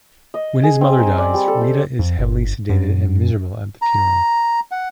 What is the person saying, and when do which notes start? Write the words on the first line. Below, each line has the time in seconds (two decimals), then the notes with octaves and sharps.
When her mother dies, Rita is heavily sedated and miserable at the funeral.
0.34 D#5
0.63 G#4
0.81 C4
0.98 A#4
1.18 D5
1.34 G3
1.48 A4
1.61 G4
1.99 F2
2.19 G1
2.70 F#2
3.82 A#5
4.71 F#5